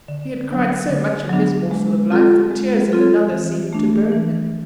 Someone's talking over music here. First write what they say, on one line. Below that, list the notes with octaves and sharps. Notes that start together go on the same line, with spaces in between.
He had cried so much in his morsel of life that tears in another seemed to burn him.
D3
F#3 B3 D4
D3
F#3 B3 D4
G#3
C4 F4 A4
G#3
C4 F4 A4
E3
A3 D4
E3